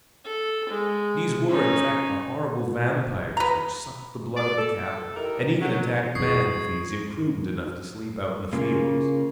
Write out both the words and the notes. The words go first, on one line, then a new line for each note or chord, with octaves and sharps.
These were, in fact, the horrible vampires which suck the blood of the cattle, and even attack man if he is imprudent enough to sleep out in the fields.
A4
G#3
C#4 D#4
B4 A#5
D5
A4
D#4 E4 G4 A#4
F#3
F2 E4 F#4 G#4 C#6 D#6 G#6 C7
C#3 A#3 F4